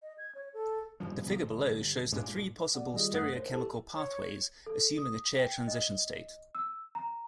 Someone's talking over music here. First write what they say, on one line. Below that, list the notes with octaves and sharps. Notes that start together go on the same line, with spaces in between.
The figure below shows the three possible stereochemical pathways, assuming a chair transition state.
D#5
G#6
C#5
A4
D#1 G2 B2 F3
B2 D#3 F3
G1
G2 A#2 G#3 D4
B3 F#4 D5 F#5
D#3 G3 F4 G#4 D#5
F#2 A3 B4 F#5 D#6 F#6
A#4 C5 C#5
E4 G4 A4 A5
C#5
A4
D#6
G5
D#5
E6
A#5